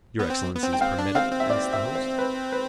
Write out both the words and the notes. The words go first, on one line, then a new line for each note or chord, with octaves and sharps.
"Your excellencies permit it?" asked the host.
B3
C4
B3
C4
G5
C4 F5
D4
C4 F5
C4
E5
D5
E5
C5
B4
B4